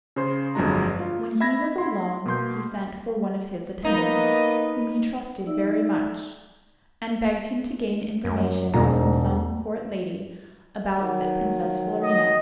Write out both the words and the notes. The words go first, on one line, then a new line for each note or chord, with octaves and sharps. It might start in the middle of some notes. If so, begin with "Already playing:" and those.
When he was alone, he sent for one of his attendants, whom he trusted very much, and begged him to gain information from some court lady about the princess Florina.
C#3 G#4 C5 C6
G1 F2 F#3 G#3 D4 A#5
F4
E5 B5 G#6 A#6
E4 C6
B2 A#3 C6 G6
A#3 B3 D#4 B4 D#5
D#4 D5 E5 E6
F#2
E1 G#2 A#5
D#3 F#3
D#5